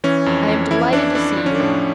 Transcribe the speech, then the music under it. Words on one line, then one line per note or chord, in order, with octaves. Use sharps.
I am delighted to see you.
E3 C#4
F2
F2
E3 E4
E3 D4
F2 D4
F3 D4
C#4
A2 D4